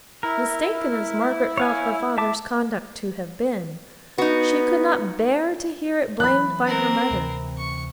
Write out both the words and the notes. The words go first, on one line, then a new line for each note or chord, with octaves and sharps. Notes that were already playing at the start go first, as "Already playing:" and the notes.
Mistaken as Margaret felt her father's conduct to have been, she could not bear to hear it blamed by her mother.
E4 A#4
C#5 F5 G#5
E5 A5 D6
B3 D#4 F#4
E3 F#3 B5 F#6
C4 A#4
D2 C3 E3
C#6